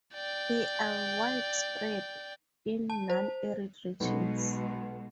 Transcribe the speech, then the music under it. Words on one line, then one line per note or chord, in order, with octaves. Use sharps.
They are widespread in non-arid regions.
D5 G5
A5
C5
B1 B2 G#3